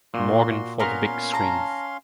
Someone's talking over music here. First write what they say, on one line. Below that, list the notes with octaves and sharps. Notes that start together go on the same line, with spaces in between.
Morgan for the big screen.
A#2 F#4 C6
B3 C#4 A#4 F5 C6
A5 A#5